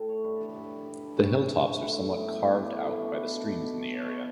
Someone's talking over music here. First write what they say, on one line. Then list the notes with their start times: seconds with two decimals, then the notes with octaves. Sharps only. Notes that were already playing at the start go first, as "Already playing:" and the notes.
The hilltops are somewhat "carved" out by the streams in the area.
Already playing: A2 A4 G5
0.09 C#5
0.24 G2 B4
0.36 A4
0.48 B4
0.55 G2
0.86 G2
1.17 G2 C#4
1.47 E3 C#4
1.78 A2 E4
1.93 E4
2.09 B3
2.25 G4
2.40 E3 G4
2.55 G4
2.71 A3 E4
2.86 C#4
3.01 B2 D4
3.17 B4
3.27 B2 A4
3.37 B4
3.63 B2
3.85 D5
3.94 B2 C#5
4.09 C#5